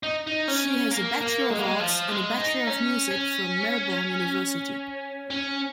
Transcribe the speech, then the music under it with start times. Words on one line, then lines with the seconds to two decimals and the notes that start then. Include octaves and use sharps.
She has a Bachelor of Arts and a Bachelor of Music from Melbourne University.
0.03 D#4
0.27 D#4
0.48 C#4
0.91 A#3
1.21 A#3
1.50 G#3
1.58 A#3
1.66 G#3
1.80 F3
2.09 G#3
2.38 D#4
2.67 C#4
3.11 C#4
5.30 C#4